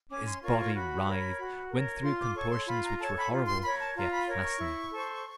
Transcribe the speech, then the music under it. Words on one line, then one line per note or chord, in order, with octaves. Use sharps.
His body writhed, went through contortions which were horrible yet fascinating.
C#4 D6
C6
F4 A#4 C#5 C#6
C#6
F#4 B5
A#4 C#5
F#4
A#4 C#5
F4 C6
D6
A4 C#5 C#6
C6
F4 B5
A#5
A4 C#5 A5
B5
F4
C6
A#4 C#5 B5
A5
F4 A#5
B5
A#4 C#5
C#6
E4
A4 C5